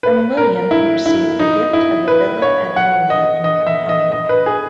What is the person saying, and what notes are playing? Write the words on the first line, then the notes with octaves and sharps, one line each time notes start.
From William he received the gift of a villa at Nola in Campania.
B4
A#4
E4
E4
D#4
E4
B4
C#5
F#5
D#5
D#5
E5
D#5
D#5
B4
G#4